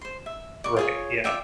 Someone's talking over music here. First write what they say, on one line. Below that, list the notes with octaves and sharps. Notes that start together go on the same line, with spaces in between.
Right, yeah.
C5 C6
E5
D5 C#6
F4 G#4 C#5
F4 D5 E5 G5